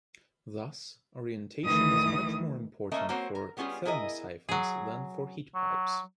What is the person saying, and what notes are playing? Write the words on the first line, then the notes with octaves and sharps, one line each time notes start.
Thus, orientation is much more important for thermosiphons than for heatpipes.
D2 D#3 E3 D#6
A3 A#3 C#4 A#4 D#5 E5
A#3 C4 F#4 C5 C#5
A#4
G3 B3 C#4 F4 G#4
E4 G#4 A#4 D#5
F#3 G#4
F#3